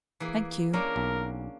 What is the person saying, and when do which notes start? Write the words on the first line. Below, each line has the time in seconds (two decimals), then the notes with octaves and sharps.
"Thank you."
0.20 E3 A#3 G#4
0.73 A#3 C#4 D4 A#4
0.96 B1